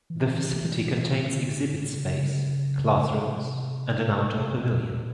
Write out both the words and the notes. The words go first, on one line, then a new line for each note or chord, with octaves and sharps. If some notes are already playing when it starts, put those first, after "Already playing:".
The facility contains exhibit space, classrooms, and an outdoor pavilion.
E3
D3
C#3
C3
C3
B2
A#2